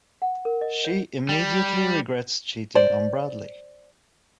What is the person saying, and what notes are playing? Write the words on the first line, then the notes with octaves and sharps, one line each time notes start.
She immediately regrets cheating on Bradley.
F#5
A#4
D#5
C#5
G3
C5 D5